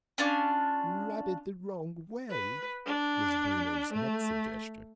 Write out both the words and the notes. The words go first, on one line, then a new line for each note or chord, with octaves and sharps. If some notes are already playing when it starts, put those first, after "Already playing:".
"Rub it the wrong way," was Bruno's next suggestion.
C#4 D4 F4 D6
B4
D4
A3